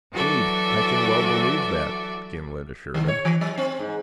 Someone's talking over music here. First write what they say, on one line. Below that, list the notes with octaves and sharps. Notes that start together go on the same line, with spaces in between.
"Indeed, I can well believe that," Gimblet assured him.
E3 F#3 F#4 A4 D5 E5
D#3
C#5
E3
F#3
C4
G#2